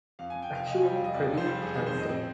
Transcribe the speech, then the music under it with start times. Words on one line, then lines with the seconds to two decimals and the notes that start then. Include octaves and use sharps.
Actual Privy Councillor.
0.19 F2 F5
0.30 G#5
0.35 F2
0.42 G5
0.51 F1 F5
0.66 F1 D#5
0.77 G#5
0.83 G3 G5
0.96 F1 F5
1.04 D#5
1.14 F2 D5
1.30 F1
1.38 C5
1.46 G3
1.61 F1 G#4
1.74 D#3 G#4
1.86 C5
1.94 F2 D#5
2.09 C4